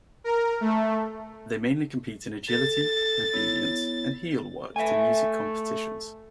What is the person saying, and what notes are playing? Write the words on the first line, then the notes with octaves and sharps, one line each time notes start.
They mainly compete in agility, obedience and heelwork to music competitions.
A#4
A3
A4 A6
B3 E4 C#5
A3 E5 G#5